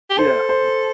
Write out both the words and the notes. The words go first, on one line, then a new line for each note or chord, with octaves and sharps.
Yeah, h
G4
A4 C5
C5